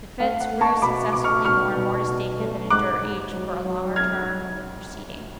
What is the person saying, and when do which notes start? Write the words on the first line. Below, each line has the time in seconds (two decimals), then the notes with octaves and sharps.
The fits grow successively more and more distinctive, and endure each for a longer term than the preceding.
0.20 A3 F5
0.40 F#5
0.51 A3
0.61 A5 C#6
0.82 B2 B5 D6
1.13 B2 D6
1.24 C#6 F6
1.45 B2 C#6 F6
1.76 B2
2.08 B2
2.39 A3
2.70 G#2 D6 F#6
3.02 G#2
3.33 F#3
3.65 F#3
3.96 F#3 F6 G#6